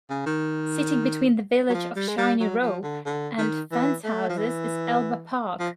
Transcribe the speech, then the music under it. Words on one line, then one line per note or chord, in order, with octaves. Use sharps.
Sitting between the village of Shiney Row and Fencehouses is Elba Park.
C#3
D#3
F#3
F3
G3
G#3
G3
F#3
F3
D3
D3
D#3
E3
A3
F3
E3
F3